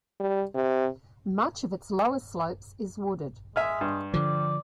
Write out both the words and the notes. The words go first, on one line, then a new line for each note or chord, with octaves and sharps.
Much of its lower slopes is wooded.
G3
C3
G#3 E5 G#5 F6
G2
D3 F3 D5